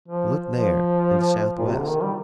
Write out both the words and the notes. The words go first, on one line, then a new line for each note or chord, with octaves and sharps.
Look there, in the southwest.
F3
F3
A#2
C3
D3
D#3
G3